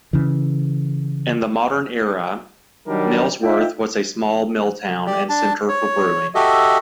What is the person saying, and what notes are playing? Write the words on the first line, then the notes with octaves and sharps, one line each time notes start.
In the modern era Nailsworth was a small mill town and centre for brewing.
C#3 E3
D#3 F#3 G3 D4 D#4 A#4
D#4 F4 E5 G5
G4 D5
D4 A5
C#5
F#4 G4 A4 D#5 E5